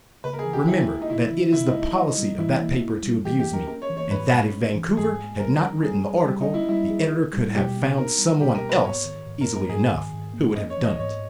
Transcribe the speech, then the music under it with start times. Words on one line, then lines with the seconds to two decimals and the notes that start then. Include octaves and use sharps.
"Remember that it is the policy of that paper to abuse me, and that if Vancouver had not written the article, the editor could have found some one else easily enough who would have done it."
0.24 C#3 B4
0.33 A#4
0.39 G#4
0.45 E3
0.53 G4
0.67 C#3 E4
0.88 G#3
1.02 D#4
1.10 C#3 E4
1.31 E3
1.52 C#3 E4
1.67 D#4
1.74 G#3
1.82 D#4
1.96 D#4 E4
2.18 G3
2.38 E3 E4
2.61 A#3
2.83 E4
3.03 G3
3.25 E3 G4
3.39 G4
3.47 A#3
3.53 A#4
3.67 C#4 A#4
3.82 C#5
3.90 E3
3.97 C#5
4.11 G#2 B4
4.32 G#3
4.54 C#4
4.75 E3
4.97 G#2 G#4
5.19 G#3
5.39 G3 A#4
5.62 C#4
5.83 G3 G#4
6.04 G#4
6.26 G3 G4
6.41 D#4
6.47 C#4
6.54 E4
6.69 G3 E4
6.90 G#4
7.12 D#4
7.33 G3
7.55 B2 G4
7.77 B3
7.98 D#4 A#4
8.19 G3
8.41 B2 G4
8.55 A#4
8.62 B3
8.69 B4
8.83 G#2 C#5
9.05 D#3
9.26 G#2
9.41 A#4
9.48 A#3
9.56 A#4
9.69 G#2 G#4
9.92 D#3
10.13 G#2
10.34 A#3
10.55 C#4 D#5
10.70 C#5
10.77 E3
10.84 D#5
10.99 G#2 C#5